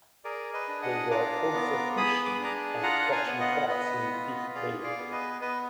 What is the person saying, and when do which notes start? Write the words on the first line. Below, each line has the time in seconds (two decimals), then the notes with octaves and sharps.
They were also fishing and catching crabs in Deep Bay.
0.24 G#4 A#4 D5
0.53 B4 D#5
0.68 D4
0.82 D#5 F#5
1.11 F4 A#5 D6
1.54 B3
1.97 G#4 B5 D#6
2.26 D6
2.35 B5
2.40 D4 A#5 D6
2.83 F4 F#5 A#5
3.12 F5 G#5
3.26 B3
3.40 D#5 F#5
3.69 B3 B4 D#5
4.12 F4
4.55 G#4 D5 F5
4.84 D5 F5
4.98 B3
5.12 B4 D#5
5.41 B3 B4 D#5